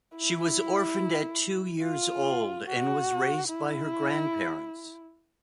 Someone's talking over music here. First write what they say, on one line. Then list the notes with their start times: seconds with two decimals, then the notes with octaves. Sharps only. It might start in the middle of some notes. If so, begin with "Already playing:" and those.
She was orphaned at two years old and was raised by her grandparents.
0.17 E4
1.83 F4
2.66 F#4
3.49 E4